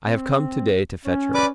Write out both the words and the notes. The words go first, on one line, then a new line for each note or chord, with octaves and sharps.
I have come to-day to fetch her.
C4
C#4
B4 D5 D6